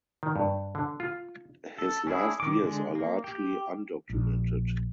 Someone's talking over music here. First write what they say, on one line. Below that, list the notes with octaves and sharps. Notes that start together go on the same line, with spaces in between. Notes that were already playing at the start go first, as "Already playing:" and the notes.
His last years are largely undocumented.
D#3
G2
D3
F4
A4
C#4 D4 E4 G#4
D#3 D6
D3 G#3
A#3
G4
A#1